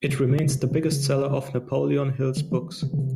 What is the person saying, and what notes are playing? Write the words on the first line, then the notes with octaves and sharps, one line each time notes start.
It remains the biggest seller of Napoleon Hill's books.
C3
B2
C#3
C3
C3
C#3
D3
E3
C3
C#3
C3